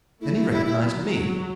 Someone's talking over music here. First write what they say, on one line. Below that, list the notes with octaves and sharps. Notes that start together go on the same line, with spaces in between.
Then he recognised me.
A3 E4
E4
G3 E4
E4
F#3